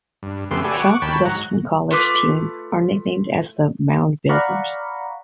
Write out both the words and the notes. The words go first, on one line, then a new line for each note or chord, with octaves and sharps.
Southwestern College teams are nicknamed as the Moundbuilders.
G2
F2 C#3 A3 B3 G4 C6
F#4 G4 A4 B4 D5 G#5
F#5 C#6 D6
D#2 C#5 G5 A5 B5
G#2 F#3 F#5 A#5
A3 F4 B4 D6
D5 F5 F#5 A#5 B5 C#6